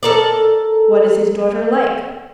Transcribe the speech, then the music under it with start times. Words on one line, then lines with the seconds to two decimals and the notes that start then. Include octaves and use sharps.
"What is his daughter like?"
0.03 A4 A#4 D5